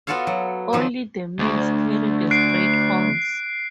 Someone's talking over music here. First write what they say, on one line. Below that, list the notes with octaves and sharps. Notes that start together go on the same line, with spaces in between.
Only the males carry the straight horns.
B3 F4 F#4 A4 C#5 F5
F#3
D#3 F3 C4
D2
F#6 C7 D7